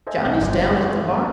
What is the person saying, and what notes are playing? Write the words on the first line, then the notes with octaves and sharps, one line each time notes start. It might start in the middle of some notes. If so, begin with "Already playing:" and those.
Johnny's down at the barn.
A4 C5 D#5 E5 G#5 A5
B1 D#5 F#5
G1 F3 C5 D5
C#4 D4 F#4 A4 B4 C#5
E4 F#4 A4 B4 C5 D5
A#3 A#4 C#5 A5